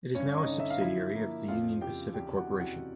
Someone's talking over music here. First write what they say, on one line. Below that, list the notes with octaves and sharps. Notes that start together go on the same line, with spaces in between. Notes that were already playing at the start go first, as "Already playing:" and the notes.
It is now a subsidiary of the Union Pacific Corporation.
G2 C#4 C#5
D#4 D#5
D3
E5
F5
F3 E4 E5
A#3
F2 F4 F5
C#3 G4 G5
E2 G4 G5
F#4 F#5
C3
F#4 F#5